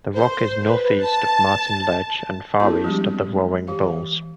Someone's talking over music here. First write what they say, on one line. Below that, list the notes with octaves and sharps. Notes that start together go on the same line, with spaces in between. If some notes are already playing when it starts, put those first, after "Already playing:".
The rock is northeast of Martin Ledge and far east of the Roaring Bulls.
C5
B4
A5
B3 E4 F#4 G#4 A5
F3 G3 G#3 C4 D4 G4
E3 G4 F5